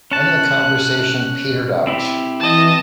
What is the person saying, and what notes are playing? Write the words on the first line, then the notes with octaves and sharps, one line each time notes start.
Then the conversation petered out.
C#4 A5 F#6
C4 E4 G4
E3 D#5 A5